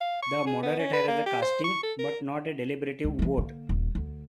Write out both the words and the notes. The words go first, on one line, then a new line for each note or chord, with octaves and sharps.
The moderator has a casting, but not a deliberative vote.
F5
C#6
G#4
B3
C#4
B4
A#3
G4
C5
C#6
A4
A#4
C#2
F3 A3
D3 A#3
D#1
D2